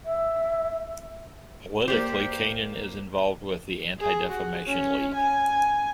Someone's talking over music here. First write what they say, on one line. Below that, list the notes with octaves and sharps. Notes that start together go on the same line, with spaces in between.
Politically Kanan is involved with the Anti-Defamation League.
E5
A#3 G4 C5 D5
G#4
F#4
C#4
G#5